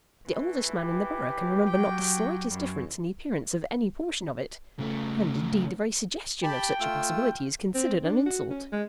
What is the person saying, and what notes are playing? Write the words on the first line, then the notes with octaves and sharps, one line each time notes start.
The oldest man in the borough can remember not the slightest difference in the appearance of any portion of it; and, indeed, the very suggestion of such a possibility is considered an insult.
E3 A3
G4
F#3 G5
F#2 G3
C#3 A3
G4 G5 A5 B5
A3 F4 E6
C4
D4
F#4
C#4
G#3